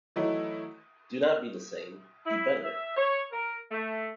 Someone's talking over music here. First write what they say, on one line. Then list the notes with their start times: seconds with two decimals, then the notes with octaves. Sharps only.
Do not be the same, be better!
0.16 E3 F#3 A3 D#4 E4
2.25 E4
2.64 E5
2.97 C#5
3.32 A#4
3.71 A3